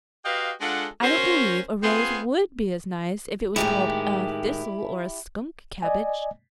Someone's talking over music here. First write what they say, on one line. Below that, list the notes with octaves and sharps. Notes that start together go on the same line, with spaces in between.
I don't believe a rose WOULD be as nice if it was called a thistle or a skunk cabbage.
F#4 G4 B4 D#5 F5
G#3 D4 F4 A4 F#5
C#4 F#4 A#4 C5
B3 C4 F4 G#4 G#5 C6
A2 D#3 G#3 E4 G4
D5 D#5 G#5